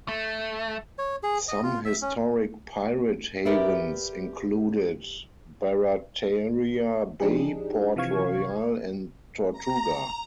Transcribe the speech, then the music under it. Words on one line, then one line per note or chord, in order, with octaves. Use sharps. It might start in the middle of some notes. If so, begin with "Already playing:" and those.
Some historic pirate havens included Barataria Bay, Port Royal, and Tortuga.
A3
C#5
G#4
D#5
F4
E5
C#4
G4 A#4 B4 D5 E5
F3 D4 D#4 G4 G#4
C3 E3 F3 F5 C#6 G#6
A#5